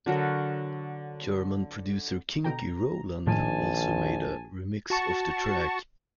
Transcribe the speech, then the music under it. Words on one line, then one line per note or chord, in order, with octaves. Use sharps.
German producer Kinky Roland also made a remix of the track.
D3 F#3 F#4 A#4
B2 D3 G5 A#5
A#1 A2 D#3 F3 G#5 A5
F#4 A5 C#6